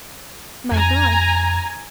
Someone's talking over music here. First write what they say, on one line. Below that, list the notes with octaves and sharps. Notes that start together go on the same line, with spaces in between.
"My God!"
F2 G#5 A#5